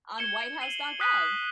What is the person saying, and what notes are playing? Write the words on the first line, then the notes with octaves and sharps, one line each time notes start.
On whitehouse.gov.
G#6 C#7 E7 G7
G#6 C7 D#7 F#7
D#6 F#6 B6 D#7 F#7